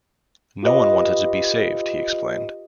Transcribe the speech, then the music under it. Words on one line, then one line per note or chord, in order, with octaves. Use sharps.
"No one wanted to be saved," he explained.
F4 G4 B4 D#5